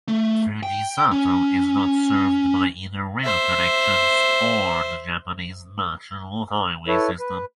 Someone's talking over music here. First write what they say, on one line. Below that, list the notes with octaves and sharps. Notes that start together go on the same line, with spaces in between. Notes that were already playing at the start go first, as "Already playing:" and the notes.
Fujisato is not served by either rail connections, or the Japanese national highway system.
A3
G5
C#4
C5 E5
E4 A4 B4 C#5
B4